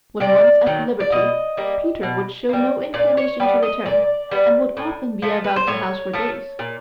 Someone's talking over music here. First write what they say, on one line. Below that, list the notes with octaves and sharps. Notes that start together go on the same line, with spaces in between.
When once at liberty Peter would show no inclination to return, and would often be about the house for days.
C3 D5
D#3 F#3
D5
B2 D#5
G3 A#3
B2
G3 A#3
A#2 D5
C#5
G3 B3 D5
D#5
A#2 D5
G3 B3
A2
F3 A3
B4
C5
A2 C#5
F3 A3
A#2